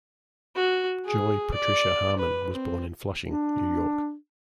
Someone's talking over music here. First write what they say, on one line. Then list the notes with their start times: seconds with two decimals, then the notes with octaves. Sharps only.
Joy Patricia Harmon was born in Flushing, New York.
0.55 F#4
1.04 G#4
1.54 D5
2.19 B4
2.53 C4
3.30 D4